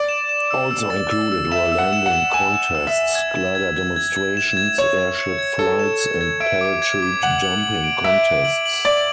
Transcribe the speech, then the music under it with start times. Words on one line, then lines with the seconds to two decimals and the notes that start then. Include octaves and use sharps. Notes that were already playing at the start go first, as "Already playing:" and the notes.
Also included were landing contests, glider demonstrations, airship flights, and parachute-jumping contests.
Already playing: D5
0.09 E7
0.29 E7
0.51 E6
0.71 E6
0.90 A6
1.10 E6
1.32 E6
1.52 E5 E7
1.72 E6
1.78 F#5
1.93 E7
2.06 F#5
2.13 E7
2.33 G#5 E7
2.54 E7
2.75 E6
2.87 E5
2.94 E7
3.15 G#6
3.36 E7
3.55 G#6
3.76 G#6
3.96 G#6
4.16 G#6
4.37 E7
4.57 G#6
4.78 C#5 G#6
4.98 G#6
5.19 C#7
5.38 G#6
5.59 A4 G#6
5.79 E7
6.00 G#6
6.21 G#6
6.40 E5 D7
6.61 D6
6.82 G#6
7.02 D6
7.23 F#5 F#7
7.43 F#7
7.63 F#7
7.84 D7
8.04 E5 D7
8.25 D7
8.45 F#7
8.66 F#7
8.85 D5 F#7